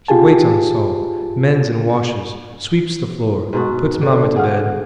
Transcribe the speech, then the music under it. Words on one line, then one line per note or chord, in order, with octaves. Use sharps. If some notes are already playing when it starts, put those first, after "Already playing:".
She waits on us all, mends and washes, sweeps the floor, puts mamma to bed.
F4 G4 G#4 G#5 A5
G#2 B2 F#4
D3 D4
G#4 F5 F#5